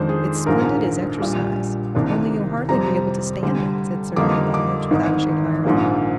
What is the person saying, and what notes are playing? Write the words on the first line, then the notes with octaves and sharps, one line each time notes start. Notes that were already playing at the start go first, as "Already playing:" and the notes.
"It's splendid as exercise, only you'll hardly be able to stand it," said Sergey Ivanovitch, without a shade of irony.
Already playing: F2 D#3 G#3 D4 C5
G#4
A#1 G#2 F3 A#4
A#1 A#2 G3
C2 C3 D#3 A#3 D4
F2 C3 G3 C4 A#5
D2 D3 G3
F2 D3 G3 A#3 D#4 D6
D6
G#1 G#2 D#3
A#1 G#2 F3 A#3